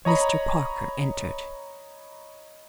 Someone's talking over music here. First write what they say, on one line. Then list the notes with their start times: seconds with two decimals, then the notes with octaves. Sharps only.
Mr. Parker entered.
0.05 C#5 D#5 A#5 B5